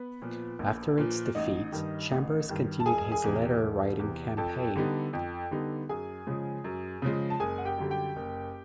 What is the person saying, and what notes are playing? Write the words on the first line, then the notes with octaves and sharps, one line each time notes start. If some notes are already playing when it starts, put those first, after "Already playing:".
After its defeat, Chambers continued his letter writing campaign.
Already playing: B3 B4
A#2 F3
A#1
A#2 F3
A1 D#4 D#5
G2 D#3
A1
G2 D#3
A5
E1 G#4 G#5
G#4 G#5
E2 C3
E1
E2 C3
F2 A4 A5
D3 G3 B3 D#4
F2
D3 G3 B3 D#4
F#2 G#4 G#5
C#3 F3 G#3
F#2
C#3 F3 G#3
A5
F#1 G#4 G#5
F#5
G4 G5
F#2 D3 G3
G4 G5
F#1